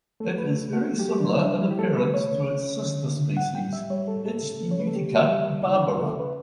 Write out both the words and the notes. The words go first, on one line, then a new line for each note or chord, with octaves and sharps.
It is very similar in appearance to its sister species Ichneutica barbara.
A3 A4
B4
A3
A3 F#4
F#3 G4
D4
G3 E4
D4
G3
E4
G4
A3 A4
B4
A3
C#5
C#3
C#3
D3
D3
A2 F#5
G5
G3
E5
G3 C#5
A4
A2
A4
C#3
C#3 C#5
B4
A4
G3 G4
F#4
G3
G4
G3
E4
G3 D4
E4
C#3 A4
B4